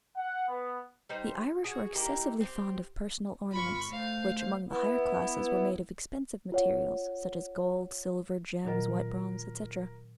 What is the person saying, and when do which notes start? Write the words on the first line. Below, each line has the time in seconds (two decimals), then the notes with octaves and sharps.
The Irish were excessively fond of personal ornaments, which among the higher classes were made of expensive materials, such as gold, silver, gems, white bronze, etc.
0.16 F#5
0.48 B3
1.09 G3 D#4 C5
1.64 F#4 G#4
1.95 A#3 D#4 E4 G4
2.41 C4 G4
3.52 G1 F4 B5 C#6
3.92 A3 C5 F5
4.68 B3 E4
6.52 F4 C#5 F#5
8.65 A#2 D#3 F#3 F4 A#4